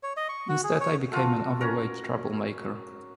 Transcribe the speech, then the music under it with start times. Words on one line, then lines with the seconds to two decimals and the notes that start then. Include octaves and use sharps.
Instead, I became an overweight troublemaker.
0.03 C#5
0.17 D#5
0.29 C#6
0.49 F#4
0.64 G#4
0.80 C#5
1.12 F4 F#4 A4
1.61 C#4 F#4 A#4